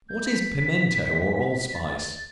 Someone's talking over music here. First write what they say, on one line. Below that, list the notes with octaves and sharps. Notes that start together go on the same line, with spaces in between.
What is Pimento or Allspice?
G6
B6
A6
A6